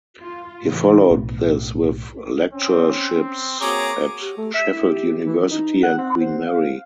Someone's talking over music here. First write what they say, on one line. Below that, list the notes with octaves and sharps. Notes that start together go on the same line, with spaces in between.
He followed this with lectureships at Sheffield University and Queen Mary.
F4
A2 C#3 E3
B1 A2
C4 C#4
A#3 C4 F#4 G#4 C#5 A#5 D6
G4
A3
E5
E4
G4
E3
D#4
F#5
C4
C5
F5